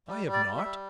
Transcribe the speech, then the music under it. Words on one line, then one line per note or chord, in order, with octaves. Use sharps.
"I have not."
G3
G3
D5
G3
E5
G3